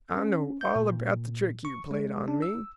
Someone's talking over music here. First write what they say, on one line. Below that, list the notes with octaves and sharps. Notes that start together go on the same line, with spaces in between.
I know all about the trick you played on me.
C#4
G6
A#2
C#6
G#3
D4
E6